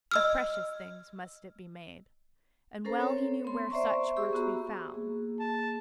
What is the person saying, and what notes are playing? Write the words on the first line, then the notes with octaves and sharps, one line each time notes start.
Of precious things must it be made, and well he knew where such were to be found.
D#5 E6 F6
C#4 A4 A#4 C5 A#5
C4 C#5
B3 C6
C5 D5 E5 A#5 C6 C#6
G4 G#4 C#6 E6
B3 F#4 A#5
A#3 G#4
A5